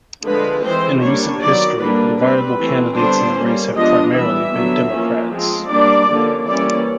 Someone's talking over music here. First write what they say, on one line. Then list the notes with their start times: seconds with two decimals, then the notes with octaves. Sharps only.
In recent history, the viable candidates in the race have primarily been Democrats.
0.24 D3 F3 G#3 B4
0.63 E3 G#3 C4 C5
1.02 G3 A#3 D4 C#5
1.41 D#3 F#3 B3 D5
1.79 D3 G3 A#3 D4 B4
2.19 G3 C4 B4
2.57 E3 A3 C4
2.96 D3 G3 B3 D4 C5
3.35 G3 A#3 C#4
3.74 F3 G#3 B3 D4 D#5
4.13 E3 G3 B3 E5
4.52 D3 F#3 B3
4.90 F3 A#3 C#4
5.29 F3 G#3 C4
5.68 G3 A#3 D4 D5
6.07 D3 F3 A#3 C#4
6.46 E3 G3 A#3 C#4 D5